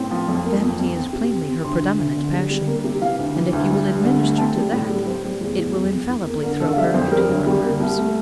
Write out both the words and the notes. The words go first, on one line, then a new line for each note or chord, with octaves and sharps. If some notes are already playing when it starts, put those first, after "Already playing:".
Vanity is plainly her predominant passion, and, if you will administer to that, it will infallibly throw her into your arms.
Already playing: A2 C4
F3
F2
A#3
F2
F2
C4
C3
C4
C4
D2 C6
D2
D2
D3
G3
G3
A#3
C3
E3 F5
D2
E3
D2
G2
G2
D3
A3
C4 A5
G3
A2
G3
G3 C5
G3
E2
E2
F2
F2
E3
A#3
D3 A#4
D3 A4
F5
G3 E5
F2 C5
G3 A#4
D2
G3
A#3
C2
A3